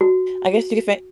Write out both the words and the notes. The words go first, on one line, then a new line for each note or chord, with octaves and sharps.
I guess you could say
F#4